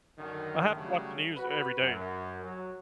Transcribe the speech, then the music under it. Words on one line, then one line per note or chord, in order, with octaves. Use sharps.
I have to watch the news every day.
F#2 D3 D#3
C#3 F#3 G3 A3
F#4 B4
F#2
F#3